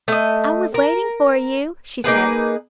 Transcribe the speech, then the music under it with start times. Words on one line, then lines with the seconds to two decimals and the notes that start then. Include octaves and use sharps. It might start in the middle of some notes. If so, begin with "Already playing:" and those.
"I was waiting for you," she said.
0.08 A3 D#5
0.74 A#4
2.04 A#3 D#4 G#4 B4